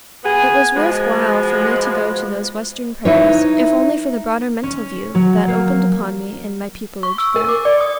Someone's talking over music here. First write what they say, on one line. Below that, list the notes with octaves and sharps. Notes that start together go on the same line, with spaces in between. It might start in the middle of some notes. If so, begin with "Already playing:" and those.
It was worth while for me to go to those Western prairies, if only for the broader mental view that opened upon me in my pupilage there.
B3 G#4
B2 F3 G#3
D#4 E4 B4 C#5
C#4
F#3
A#3
C#6
E6
A#4
D6
D5
D#6